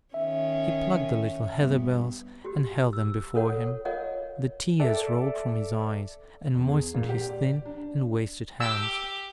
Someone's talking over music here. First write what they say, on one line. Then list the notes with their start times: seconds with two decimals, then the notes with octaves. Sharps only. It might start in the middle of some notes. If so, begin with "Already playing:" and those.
He plucked the little heather-bells, and held them before him; the tears rolled from his eyes, and moistened his thin and wasted hands.
0.14 D#3 C#4 E5
1.56 G2 B3
2.45 F#4 G4
2.93 E6
3.35 F4 A4 A#4 C#5 F#5
3.85 F4 A#4 C#5 D#5 F5 F#5
4.80 A4 D5 E5
6.55 E2
6.69 G#4
6.94 A#2
7.09 G4
7.29 D5
7.65 D4
8.60 G4 D6 E6